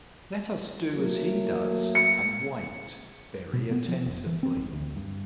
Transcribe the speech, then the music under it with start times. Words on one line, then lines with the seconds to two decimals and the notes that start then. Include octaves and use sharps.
Let us do as he does and wait, very attentively.
0.94 F#3 A3 A#3
1.95 C#7
3.53 B2
3.71 B3
3.88 F3
4.06 F1
4.26 E3
4.43 C4
4.57 G#1
4.72 D2
4.96 G2